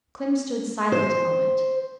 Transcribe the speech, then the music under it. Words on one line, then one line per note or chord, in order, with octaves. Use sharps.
Clym stood silent a moment.
C5